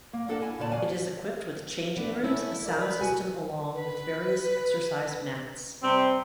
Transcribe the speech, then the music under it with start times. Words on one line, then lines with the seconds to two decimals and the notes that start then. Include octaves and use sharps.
It is equipped with changing rooms, a sound system along with various exercise mats.
0.13 A#3
0.28 A#3 D4 A4 A#4 D#5 F#5
0.42 E4 G#5
0.58 D#2 A#2 C#3 F4 D5 A5
0.72 F#2 E3 D5 F5 G#5
1.97 B3 D4
2.24 A3 C#4 E4
2.66 A#4 D5
2.81 B4
3.01 F#4 G#5
3.73 B4
5.83 C3 G3 C4